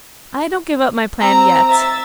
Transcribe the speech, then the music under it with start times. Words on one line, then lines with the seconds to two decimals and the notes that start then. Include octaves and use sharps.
'I don't give up my plan yet.
1.19 C4 A#5 E6
1.66 E5 E6 A6